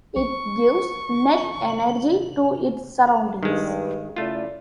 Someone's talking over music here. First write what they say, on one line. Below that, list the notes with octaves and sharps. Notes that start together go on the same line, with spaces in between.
It gives net energy to its surroundings.
A#1 C#6
G2 D#3 G#3
C#3 A3 E4 F4 D5